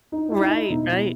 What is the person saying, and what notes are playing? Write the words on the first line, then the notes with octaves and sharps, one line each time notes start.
Right, right.
D#4
E4
D#4
E4
B2 D#4
E4